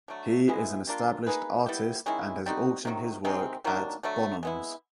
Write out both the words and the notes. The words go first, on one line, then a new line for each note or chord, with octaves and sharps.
He is an established artist and has auctioned his work at Bonhams.
D3 F#3 A3
E3 G#3 B3 E4
G3 A#3 D4 F4
A#3 D#4 G#4 B4
G3 B3 E4 G4
D#3 G#3 C#4 E4
G3 C4 D#4 F#4
C3 D#3 F#3
C3 D#3 G#3 C4
D#3 F#3 A#3 D4
D3 F#3 A3
G#3 B3 E4